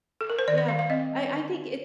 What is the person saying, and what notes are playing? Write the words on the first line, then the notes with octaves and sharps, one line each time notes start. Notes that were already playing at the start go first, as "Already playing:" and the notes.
yeah, I I think it's
A4
A#4
C5
D#3 D5
D5
D#3 F5
F5
C4 D#5
G3
D3
D#4